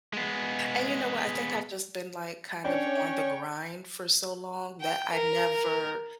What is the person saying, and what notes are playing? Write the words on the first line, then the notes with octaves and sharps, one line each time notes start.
and you know what? I think I've just been, like, kind of on the grind for so long that I never
G#3 B3
C#4 D4 C#5 G5 C#6
G5
A#4